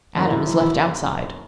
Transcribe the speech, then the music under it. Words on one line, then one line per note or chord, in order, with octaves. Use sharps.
Adam is left outside.
F#1 F#2 D#3
E4
E4
E4